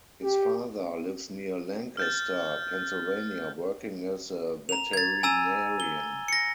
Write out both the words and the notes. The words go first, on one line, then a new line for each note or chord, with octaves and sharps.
His father lives near Lancaster, Pennsylvania working as a veterinarian.
G4
F6 G6 A6
A#5 F7
G#6 A6
G#5 A#5 E6 D#7
G7
A#6 C#7